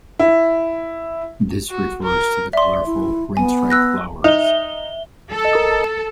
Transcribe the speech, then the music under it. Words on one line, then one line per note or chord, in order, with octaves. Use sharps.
This refers to the colorful, green striped flowers.
E4
F#4
A#4
D5 E5 C6
E4
B3 G#5
E6 F#6 A#6
D#4 E5 G7
A4